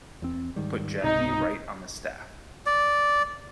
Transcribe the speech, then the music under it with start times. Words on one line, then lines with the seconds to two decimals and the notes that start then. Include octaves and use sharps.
Put Jackie right on the staff.
0.22 E2 C4
0.56 G#2 D#3 G3
1.03 C#2 G#2 C3 D#4
2.66 D5